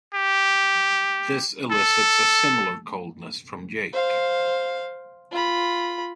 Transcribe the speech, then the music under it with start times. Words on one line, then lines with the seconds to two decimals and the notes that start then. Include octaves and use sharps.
This elicits a similar coldness from Jake.
0.14 G4
1.71 A4
3.93 C5 F5
5.31 F4 B5